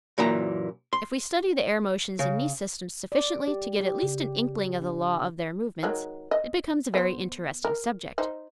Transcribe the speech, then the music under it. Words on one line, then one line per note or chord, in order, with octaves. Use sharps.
If we study the air motions in these systems sufficiently to get at least an inkling of the law of their movements, it becomes a very interesting subject.
F#2 A#2 E3 A#5
C6
C#3
D5
G4
G4
C#3
D4
D#3 F#3 G#3
D#5
B3 C5
A#4
D#4 C5